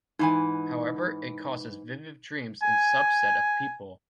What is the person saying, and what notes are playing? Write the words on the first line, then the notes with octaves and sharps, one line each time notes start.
However it causes vivid dreams in subset of people.
G#2 E3 D#4 G#5
G#5